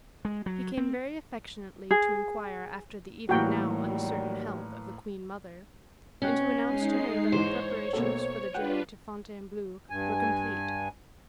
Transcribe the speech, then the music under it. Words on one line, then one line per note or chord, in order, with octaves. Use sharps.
He came very affectionately to inquire after the even now uncertain health of the queen-mother, and to announce to her that the preparations for the journey to Fontainebleau were complete.
G#3
F#3
C4
G#4
A2 D#3 E3 F#3 G3 A#3 F#4 G5
B2 C#4 G5 F#6
G#3 D#4 C7
G#2 E3 D#4 C5 C#5
B1 A#3 A4
D4 F4 B4 F#5 G5
G2 G#5